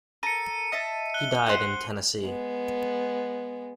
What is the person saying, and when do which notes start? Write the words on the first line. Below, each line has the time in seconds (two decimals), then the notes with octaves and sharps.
He died in Tennessee.
0.23 A4 A#4 C#7 D#7
0.72 D#5 E5 A5
1.14 F#6 G7
1.46 C5 F#5
2.22 G#3 B3